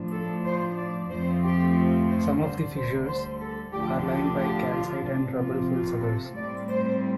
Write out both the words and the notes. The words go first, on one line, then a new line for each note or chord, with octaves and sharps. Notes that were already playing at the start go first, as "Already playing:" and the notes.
Some of the fissures are lined by calcite and rubble fills others.
Already playing: A2 F3 D4
A4
C5
D5
F2 F3 A3 C4 C5
G4
C5
D2 D3 G3 C5
C5
C5
A4
D2 D3 F3 D4 G4
G4
G4
F4
C3 F3 C4 D4
F4
F4
A4
A2 G3 C4 D5
C5